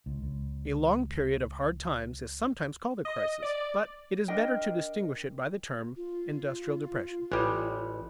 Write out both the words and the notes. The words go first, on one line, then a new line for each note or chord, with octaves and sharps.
A long period of hard times is sometimes called a crisis, but it is better to distinguish it by the term industrial depression.
C#2
C#2
D#5
D5
D4 A#4 D#5 G5
F4
A1 G3 G#3